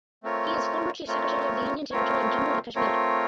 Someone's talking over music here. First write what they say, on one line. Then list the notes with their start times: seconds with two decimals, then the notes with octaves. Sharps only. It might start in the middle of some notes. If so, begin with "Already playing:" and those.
He is former Chief Secretary of the Union Territory of Jammu and Kashmir.
0.23 A3 C4 F4 A#4 C#5
1.07 A3 C4 F4 A#4 C#5
1.91 A3 C4 F4 A#4 C#5
2.75 A3 C4 F4 A#4 C#5